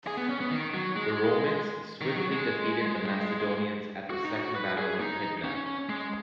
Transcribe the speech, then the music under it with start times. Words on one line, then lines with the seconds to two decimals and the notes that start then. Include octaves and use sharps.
The Romans swiftly defeated the Macedonians at the Second battle of Pydna.
0.07 G#4
0.17 B3
0.29 C#4
0.41 B3
0.51 D#3
0.74 F#3
0.96 G#3
2.01 D#3
2.16 F#3
2.31 G#3
4.10 F#4
4.25 D#4
4.40 F#4
4.55 B4
4.77 G#4
5.00 D#4
5.44 C#4
5.89 G#3